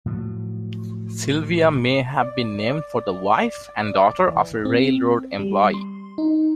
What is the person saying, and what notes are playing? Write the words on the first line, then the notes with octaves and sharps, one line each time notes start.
Sylvia may have been named for the wife and daughter of a railroad employee.
A2 F3 F#3
D5
D5
E3
C4
G3
C6
D#4